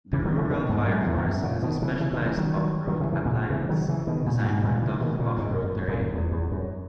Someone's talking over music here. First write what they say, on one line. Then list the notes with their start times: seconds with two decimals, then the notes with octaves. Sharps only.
The rural fire force has a specialised off-road appliance designed for tough off-road terrain.
0.13 C#3 E3
0.25 D#3 F#3
0.38 C#3 E3
0.50 B2 D#3
0.69 G#2 B2
0.88 F#2 A#2
1.06 E2 G#2
1.18 E2
1.26 F#2
1.43 A#2 C#3
1.62 B2 D#3
1.82 C#3 E3
2.00 C#3 E3
2.13 B2 D#3
2.26 C#3 E3
2.38 D#3 F#3
2.56 D#3 F#3
2.87 D#3 F#3
3.00 C#3 E3
3.12 C#3 E3
3.25 A#2 C#3
3.50 C#3 E3
3.69 D#3 F#3
3.88 C#3 E3
4.07 B2 D#3
4.26 A#2 C#3
4.44 G#2 B2
4.64 A#2 C#3
4.82 C#3 E3
5.01 B2 D#3
5.19 A#2 C#3
5.38 G#2 B2
5.51 F#2
5.64 F#2
5.76 F#2
5.88 F#2 A#2
6.02 F#2
6.14 E2
6.32 E2
6.52 F#2